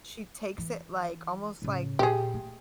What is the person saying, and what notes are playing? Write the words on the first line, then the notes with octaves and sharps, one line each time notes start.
She takes it, like, almost like
E3
A2 C#3
A#2 G4 G#4
A#3